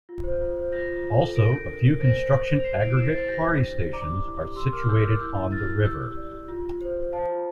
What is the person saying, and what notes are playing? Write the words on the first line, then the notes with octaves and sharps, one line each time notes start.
Also a few construction aggregate quarries stations are situated on the river.
F4
C5
F4
C5
F4 G6 A#6
F4
F4
A4
A#4 A#6 D7
D4
A#4
A#4
C5 A#6 D7
C5
C5
C5
F7
C5 C7 E7
E4 D7 F7
E4 C7 E7
C5 A6 C7
A6
G4 G6 A#6
D4
D4
D4
D5 A#5 D6
G4
E4
G4
G4 C6 E6
A#4 D6 F6
G4 E6 G6
G6
A#4 D6 F6
E4 E6 G6
E4
E4 F6 A6
E4
G4 E6 G6
G4
D5
G4
F4
F4
C5
C5
C5 F5 A5
F4